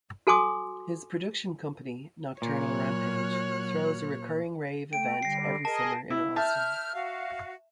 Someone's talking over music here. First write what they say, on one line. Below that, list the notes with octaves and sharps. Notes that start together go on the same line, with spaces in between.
His production company "Nocturnal Rampage" throws a recurring rave event every summer in Austin.
F#4 A4 G#5 C6 D6 D#6
A#2 F#3 C#5 F6 F#6
A3 G5 D7
D3 G3 A#6 C7
G#4 A#4 D#5 A5
E4
E5 A5 F6 G6
F#4 F5